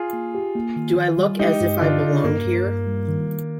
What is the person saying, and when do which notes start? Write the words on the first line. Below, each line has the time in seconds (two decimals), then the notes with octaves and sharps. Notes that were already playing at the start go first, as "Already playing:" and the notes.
Do I look as if I belonged here?
Already playing: F4 G#4
0.13 A#3
0.35 G4
0.55 A#3
0.76 D#3
0.97 D#3
1.18 G3
1.39 G#3 D#4 G4
1.61 G2
1.81 D3 D4 F4
2.03 D3
2.24 G2 A#3
2.45 G2
2.66 G2
2.87 G3
3.08 D#3
3.29 D#3